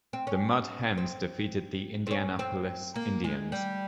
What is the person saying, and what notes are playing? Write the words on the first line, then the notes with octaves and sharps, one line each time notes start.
The Mud Hens defeated the Indianapolis Indians.
C4
C#4
C4
C4
C#4
C4
A#3
G#3
G3